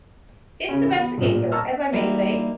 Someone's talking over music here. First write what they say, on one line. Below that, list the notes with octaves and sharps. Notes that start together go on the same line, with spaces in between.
It domesticates her, as I may say.
C#3 C#4
E3
B3
D#1 A#1
A#2
D#5 A5 A#5 C#6 E6 F6
E3 G3 A#3 D#4 F#4 B4